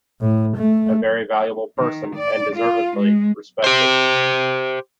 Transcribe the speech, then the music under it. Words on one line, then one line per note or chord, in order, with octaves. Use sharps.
A very valuable person, and deservedly respected.
A2
A3
D#3
D5
F4
G#3
G4 C5